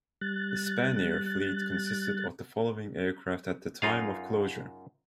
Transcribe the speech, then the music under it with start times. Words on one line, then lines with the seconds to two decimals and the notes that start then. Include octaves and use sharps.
The Spanair fleet consisted of the following aircraft at the time of closure.
0.21 G3 F#6 A6
3.82 F#2 D#4 F4 G#4 F5